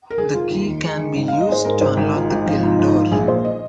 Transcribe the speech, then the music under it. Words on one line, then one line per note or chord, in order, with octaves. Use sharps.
The key can then be used to unlock the kiln door.
A#4
F1 G#4
F1 F4
D#2
D#3
G#3
D#3
G#1
G#2 F5
D#5
G#3 C5
G#2 A#4
G#1 C5
G#1 A#4
G#2 F4
G#1 D#4
F3 D#4
G#2 F4
D#4
G#1 F4
D#4
F3 F4
A#1 G#4
A#2 C5
D#5